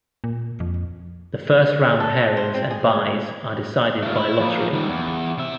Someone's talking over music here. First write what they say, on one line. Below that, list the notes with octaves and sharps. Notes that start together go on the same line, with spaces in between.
The first round pairings and byes are decided by lottery.
A#2
F2
A4
C5
C4
G#4
A3 F4
E4 B5
F3 A#3
D#3 G3
E2
C3 E5